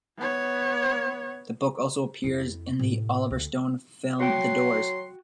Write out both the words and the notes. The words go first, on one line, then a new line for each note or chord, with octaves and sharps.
The book also appears in the Oliver Stone film "The Doors".
B3 C#5
F2 E4
A2 C3
D2
F#3 F#4 G5 C6